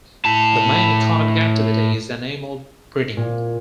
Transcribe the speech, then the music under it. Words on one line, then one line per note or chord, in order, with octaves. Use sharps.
The main economic activity is animal breeding.
A2 A5
A#2